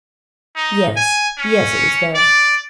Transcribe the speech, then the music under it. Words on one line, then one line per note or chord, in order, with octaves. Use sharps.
'Yes--yes--it was there.'
D#4
G#5
C#4
D5